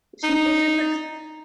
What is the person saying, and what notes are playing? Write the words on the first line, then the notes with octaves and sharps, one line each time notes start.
She hated her s
D#4